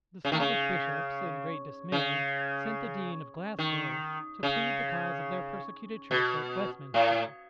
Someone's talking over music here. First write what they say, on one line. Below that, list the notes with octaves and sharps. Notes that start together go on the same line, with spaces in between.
The Scottish Bishops, in great dismay, sent the Dean of Glasgow to plead the cause of their persecuted Church at Westminster.
C#3
D#3
C#3
C#3
D#3
C#3
B2
A2